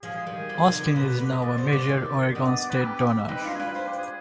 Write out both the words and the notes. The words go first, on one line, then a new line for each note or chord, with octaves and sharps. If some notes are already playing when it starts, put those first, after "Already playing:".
Austin is now a major Oregon State donor.
F3 G#3 G#4
D#3 G3
D3 F3
C3 D#3
D3 F3
B2 D3 B4
B4
B2 D3
D#5
C3 D5
B2 D3 C5
C3 D5
C3 D#3
B3 D4 D#5
D5
D5
B4
G4
C4 D#4 B4
D4 F4
G#4
D4 F4 B4
C5
G4
G#4